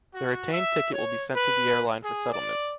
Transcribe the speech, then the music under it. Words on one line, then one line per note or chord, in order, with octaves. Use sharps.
The retained ticket will be sent to the airline for settlement.
F#4
E5
C#5
B4
G#4
D5